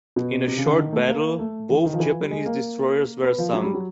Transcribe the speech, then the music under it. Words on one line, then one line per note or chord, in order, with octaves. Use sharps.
In a short battle, both Japanese destroyers were sunk.
B2
C3
C#3
D3
D#3
A3
A#3
A3
E3
D#3
F3
E3
F3
G3
G#3
A#3
B3
F3
F#3
G3
F#3